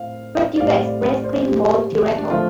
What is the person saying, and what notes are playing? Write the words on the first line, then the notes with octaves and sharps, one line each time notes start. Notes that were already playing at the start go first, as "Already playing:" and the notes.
Birth Defects Res Clin Mol Teratol.
Already playing: A2 C4 F5
D5
A2 G3 C4 F5
D5
C5
D5
C5
G4
D4
F3 A3 C4 F4